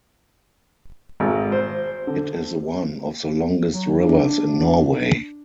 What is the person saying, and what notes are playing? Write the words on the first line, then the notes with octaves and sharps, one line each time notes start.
It is one of the longest rivers in Norway.
G#1
C5
D3
F#3
D4